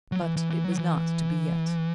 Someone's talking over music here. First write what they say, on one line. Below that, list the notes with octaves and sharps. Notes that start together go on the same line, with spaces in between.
But it was not to be yet.
F#3
E3
E3
E3
F#3
E3